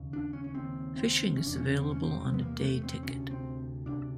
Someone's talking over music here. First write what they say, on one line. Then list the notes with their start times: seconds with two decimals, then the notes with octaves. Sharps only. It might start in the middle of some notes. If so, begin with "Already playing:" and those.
Fishing is available on a day ticket.
Already playing: D#2 C#3
0.13 D4
0.33 C#4
0.44 C#4
0.54 D#2 C#3 C4
0.96 C4
1.37 E2 C3 C#4
1.47 D4
1.55 C#4
1.79 C4
1.91 C#4
2.03 C4
2.20 E2 C3 C4
2.34 B3
2.41 A#3
2.56 A#3
2.62 A3
2.83 C4
3.03 D2 C3 C#4
3.31 C4
3.86 D2 C3 D4